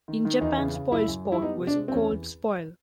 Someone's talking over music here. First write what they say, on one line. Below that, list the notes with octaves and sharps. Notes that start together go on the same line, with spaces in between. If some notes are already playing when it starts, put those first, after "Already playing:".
In Japan Spoilsport was called Spoil.
D#3
D#3
E2 D#4
C#3
C#3
F#2 E4
F#2
G3
E4
B3 D#4
C3
D4
G#3
C4
E2 C#4
E2